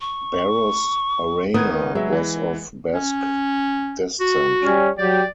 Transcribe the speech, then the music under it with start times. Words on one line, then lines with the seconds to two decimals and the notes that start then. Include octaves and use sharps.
Barros Arana was of Basque descent.
0.01 C#6
1.54 D#3 B3 D#4 D#6 F#6 G#6
1.95 F#3 G#3 E5
2.13 E3
2.94 C#4
4.20 F#4
4.63 G3 C#4
4.98 F#3 G4 D5